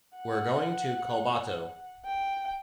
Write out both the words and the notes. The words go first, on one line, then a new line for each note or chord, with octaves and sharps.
We’re going to Collbató.
F#5
G5